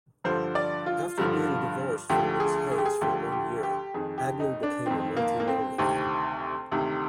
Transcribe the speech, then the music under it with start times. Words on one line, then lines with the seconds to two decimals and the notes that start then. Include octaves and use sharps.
After being divorced from Ms. Hayes for one year, Agnew became a multi-millionaire.
0.24 G2 D3 F3 C5
0.55 D5
0.86 F4
1.18 G2 D3 F3
2.09 D2 D3 F3 G4
2.40 G#4
2.71 G#4
2.78 G4
2.86 G#4
3.01 D2 D3 F3 G4
3.32 G4
3.63 G4
3.94 F2 D#3 G#4
4.18 G4
4.40 D#4
4.63 D4
4.86 F2 D#3 C4
5.17 A#3
5.40 A#3
5.48 C4
5.78 D2 C3 D#3 C4
6.71 D2 C3 D#3